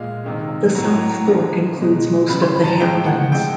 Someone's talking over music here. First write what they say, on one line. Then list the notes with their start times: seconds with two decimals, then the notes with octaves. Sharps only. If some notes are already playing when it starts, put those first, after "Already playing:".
The South Fork includes most of the Hamptons.
Already playing: A#2 G#3 F5
0.24 C3 D#3 G#3
0.75 A2 F#3 A#5
1.01 A#5
1.27 D3 F3 G#3 A#5
1.78 B2 G#3
2.29 C#3 F#3 B5
2.42 C6
2.55 B5
2.64 A5
2.68 A#5
2.80 A2 F3 G#3 G5
3.06 F#5
3.32 C3 F3 G#3 G5